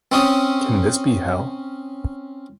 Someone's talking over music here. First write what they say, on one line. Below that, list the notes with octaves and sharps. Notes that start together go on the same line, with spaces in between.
Can this be hell?
C4 C#4 D#6